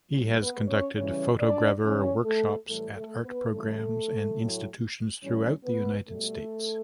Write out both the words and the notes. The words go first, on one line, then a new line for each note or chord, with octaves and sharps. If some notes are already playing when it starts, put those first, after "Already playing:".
He has conducted photogravure workshops at art programs and institutions throughout the United States.
A2 G3
B3 B4
C#4 C#5
C#3 E3 G3 C#4 C#5
D4 D5
C#3 E3 G3 C#4 C#5
A3 A4
A2 E3 G3 A3 A4
A3 A4
B3 B4
C#3 E3 G3 A3 A4
A2 F#3
A2 E3 G3 C#4 C#5
B3 B4
B2 G3 A3 A4